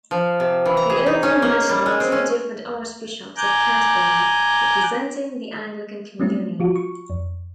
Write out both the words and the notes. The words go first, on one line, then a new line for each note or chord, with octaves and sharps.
He also met with two different Archbishops of Canterbury representing the Anglican Communion.
F3
C3
E3
A#5
G#4
D#4
C#4
A#3
G3
G#3
C4
C#4
G#5 A#5 D6 F#6 G6
F#3 G3 A3 C4 C#4 E4
F3 F4 F#4
C#6
F2